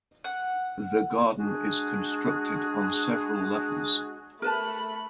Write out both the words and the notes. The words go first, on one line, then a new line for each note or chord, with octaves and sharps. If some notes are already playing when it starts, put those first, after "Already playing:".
The garden is constructed on several levels.
F#5
G#3 D4 F#4 G#4
A3 A#4 B4 A5 B5